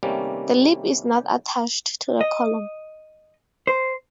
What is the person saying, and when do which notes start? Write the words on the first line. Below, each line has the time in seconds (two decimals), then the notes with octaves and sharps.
The lip is not attached to the column.
0.03 C3 D#3 G3 A3 A#3 C#4
2.21 D#5
3.67 C5